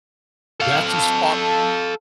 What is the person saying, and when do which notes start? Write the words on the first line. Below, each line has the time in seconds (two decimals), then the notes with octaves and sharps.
That's as far
0.60 A4 F5